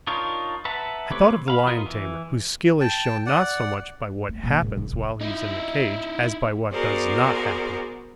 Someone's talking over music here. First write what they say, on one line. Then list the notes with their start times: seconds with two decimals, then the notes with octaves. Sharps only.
I thought of the lion-tamer, whose skill is shown not so much by what happens while he is in the cage as by what does not happen.
0.07 D4 D#4 F4 A#4 C#5
0.65 B4 E5 F#5 A5 A#5
1.12 A3 C4 G4 B4 C#5
1.48 F5 B5
1.67 B3 F4 A#4 D#5
1.86 E3
2.81 G5 A5
3.26 D5 F#5
4.29 A3
4.43 A#2
4.61 G#2
4.77 C2
4.93 D3
5.21 D#4 E4
6.72 B3 F#4 G#4 A#4 C5 D5